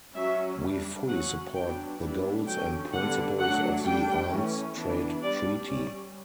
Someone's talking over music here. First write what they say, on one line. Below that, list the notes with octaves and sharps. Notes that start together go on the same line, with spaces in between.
We fully support the goals and principles of the arms trade treaty.
F#3 C#4 E5
G3 D4
F#3 C#4 F#5
F#3 B3 D4 G5
E3 G3 B3 D4
D3 F#3 C#4 G5
D3 G3 B3 D4 F#5
F#3 A3 D4 F#5
G3 D4 G5
E3 A3 C#4
E3 B3 D4
G3 D4 D5
G3 C#4 D5